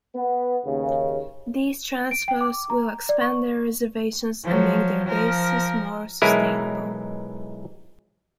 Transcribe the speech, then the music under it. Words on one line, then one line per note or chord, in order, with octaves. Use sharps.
These transfers will expand their reservations and make their bases more sustainable.
B3
D#2 C#3
D7
G5
D6
A#5
D5
C#6
F3 F#3
F3 A#4
B1 E3 G#3 E4 A#4